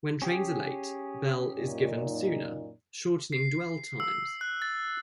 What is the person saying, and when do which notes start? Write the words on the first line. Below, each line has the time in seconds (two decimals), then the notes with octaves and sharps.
When trains are late, bell is given sooner, shortening dwell times.
0.22 C#4 G4 G#4
1.57 F#2 A#2 D#4
3.32 C7
4.00 E6
4.41 F#6
4.62 A6